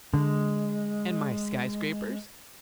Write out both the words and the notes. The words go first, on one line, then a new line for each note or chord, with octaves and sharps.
"And my sky-scrapers?"
D3 G#3